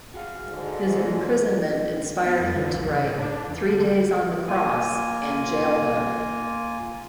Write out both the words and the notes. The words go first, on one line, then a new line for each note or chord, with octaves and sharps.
His imprisonment inspired him to write "Three Days on the Cross" and "Jailbug".
F#4 G#4 F5
G#2 D3 G#3
B3
F2
D3
B1
C#3
A2
D4
E2
D3
A#3 F4 G#5